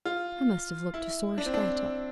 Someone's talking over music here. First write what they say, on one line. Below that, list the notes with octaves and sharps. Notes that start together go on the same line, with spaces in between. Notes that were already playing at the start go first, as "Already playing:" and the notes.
I must have looked a sore scrattel.
F4
E4
D4
C4
D4